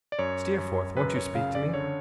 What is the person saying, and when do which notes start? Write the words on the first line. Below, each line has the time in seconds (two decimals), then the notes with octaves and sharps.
'Steerforth! won't you speak to me?'
0.12 D5
0.19 F#2 C#5
0.58 F#2
0.97 F#2 B4
1.16 C#5
1.35 C#3 F5
1.55 D5
1.74 D3 C#5